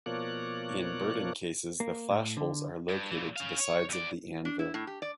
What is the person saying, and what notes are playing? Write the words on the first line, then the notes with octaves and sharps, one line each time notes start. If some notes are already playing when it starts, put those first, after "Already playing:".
In Berdan cases, the flash holes are located to the sides of the anvil.
B2 F3 A#3 C#5 D5 F#6
A#3
A2
D3
G2
A#2 E3
C#4 F5
C#5
E2 D5
D4
E4
A2
G4
D5